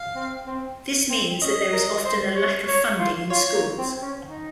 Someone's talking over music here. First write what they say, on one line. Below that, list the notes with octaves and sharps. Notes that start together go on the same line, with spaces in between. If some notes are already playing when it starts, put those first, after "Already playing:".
This means that there is often a lack of funding in schools.
Already playing: F5
C4
C4
C4
C#4 D#5
A#4
C5
C#5
C#5
F4
F4 C#5
A#3
C4
C#4
D#4